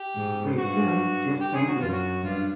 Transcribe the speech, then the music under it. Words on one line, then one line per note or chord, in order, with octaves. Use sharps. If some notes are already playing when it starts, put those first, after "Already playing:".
They soon disbanded.
Already playing: G4
G#2
G2 F#4
G4
G#4
F#4
F#2 F4
F#4
G2 F4